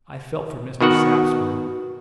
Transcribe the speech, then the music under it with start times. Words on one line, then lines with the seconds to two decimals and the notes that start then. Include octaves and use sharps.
I felt for Mr. Sapsworth.
0.81 B2 D#3 F#4 F#5